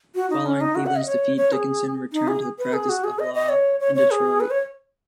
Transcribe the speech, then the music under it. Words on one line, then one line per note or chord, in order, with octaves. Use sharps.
Following Cleveland's defeat, Dickinson returned to the practice of law in Detroit.
F#4
D#4
C#4
D#4
F#4
F#5
D#5
C#5
C#5
G#4
D#4
G#4
B4
G#4
F#4
G#4
D#5
D#5
C#5
C#5
C#5
G#4
B4
C#5